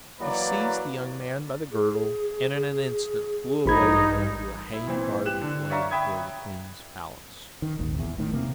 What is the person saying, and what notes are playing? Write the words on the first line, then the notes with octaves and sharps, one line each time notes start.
He seized the young man by the girdle, and in an instant flew away with him to a hanging-garden that lay before the queen's palace.
E3 F#3 A#3 B4 D5
G#4
A1 G2 D#4 B5 G#6
E4
A#2 E3 C4
G4 F#6 E7
D3
C#5 D5 E5 F5 A#5 C#6
E5 G5 B5 D#6 G#6
D#3
D#1 G#1 D#2
E2
A2 D#3
C3 A#3